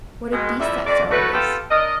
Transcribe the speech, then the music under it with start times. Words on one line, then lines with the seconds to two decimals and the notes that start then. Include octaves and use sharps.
'What a beast that fellow is.
0.32 B2 D#3 G#3
0.60 F2 G3 E4
0.86 F2 D5
1.11 A3 F#4 B4
1.33 B3 F4 G4 A4
1.70 D4 A#4 D#5